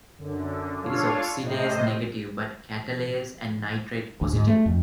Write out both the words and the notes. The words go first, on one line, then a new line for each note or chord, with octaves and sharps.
It is oxidase-negative but catalase- and nitrate-positive.
F#2 D3
D4 F4 A4 C#5 F5
A2 C3 C5 D#5
D2
G#2
A3
F2